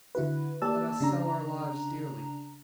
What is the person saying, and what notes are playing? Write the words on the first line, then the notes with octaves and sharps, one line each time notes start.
"Let us sell our lives dearly."
D3 E4 F#4 B4
A#3 G4 D5 A5 E6
C#3 D4 A#5